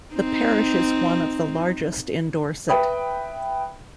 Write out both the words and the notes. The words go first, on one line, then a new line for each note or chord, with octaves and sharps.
The parish is one of the largest in Dorset.
C4 D#4
B4 E5 G5 B5 D#6